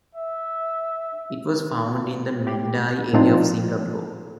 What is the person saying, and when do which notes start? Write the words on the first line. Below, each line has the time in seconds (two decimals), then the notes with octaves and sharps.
It was found in the Mandai area of Singapore.
0.15 E5
2.47 G4
3.13 A2 F3 C4 D4 D#4 F4